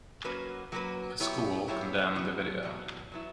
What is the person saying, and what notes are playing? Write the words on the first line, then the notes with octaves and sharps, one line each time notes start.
The school condemned the video.
F#3 A#3 C#4 F#4 B4
F#3 A#3 C#4 F#4 B4
F#3 B3 E4 G4 C#5
F#3 B3 E4 G4 C#5
E2 B2 F#3
E2 B2 F#3
F#3 B3 E4